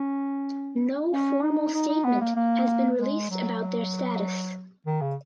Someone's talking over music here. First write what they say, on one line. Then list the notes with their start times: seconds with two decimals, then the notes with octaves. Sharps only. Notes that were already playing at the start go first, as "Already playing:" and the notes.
No formal statement has been released about their status.
Already playing: C#4
1.11 C#4
1.43 D#4
1.74 D#4
1.89 D#4
2.04 B3
2.20 A#3
2.36 A#3
2.98 G#3
3.30 F#3
4.86 D#3
5.01 C#3